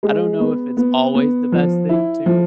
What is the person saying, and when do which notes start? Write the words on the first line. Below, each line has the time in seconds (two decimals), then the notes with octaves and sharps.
I don't know if it's always the best thing to,
0.03 G#3
0.40 B3
0.77 B3
1.15 B3
1.52 F3
1.89 E4
2.26 F3